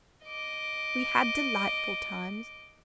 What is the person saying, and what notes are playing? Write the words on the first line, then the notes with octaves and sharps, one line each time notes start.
We had delightful times.
D#5 D6